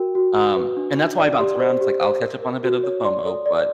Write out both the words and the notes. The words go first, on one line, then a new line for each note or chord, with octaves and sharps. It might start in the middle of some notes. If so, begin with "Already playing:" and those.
Um, and that's why I bounce around, it's like I'll catch up on a bit of the FOMO, but
Already playing: F#4 A#4 G5
F#4
F#4
B4
D4
D4
D5
G4 C6
C5
G4
C5
A#4
A#4
F#4
C#5
D5 C6
A4
D5